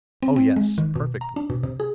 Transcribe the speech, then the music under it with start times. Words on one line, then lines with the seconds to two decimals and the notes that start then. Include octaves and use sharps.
"Oh, yes--perfectly."
0.23 C4
0.36 C4
0.56 G#3
0.78 D#3
0.96 B2
1.21 A#5
1.36 D4
1.50 B2
1.63 C3
1.80 G#4